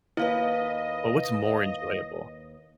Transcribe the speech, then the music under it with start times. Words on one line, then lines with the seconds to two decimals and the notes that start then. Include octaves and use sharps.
but what's more enjoyable?
0.17 D#2 E4 B4 D#5 F5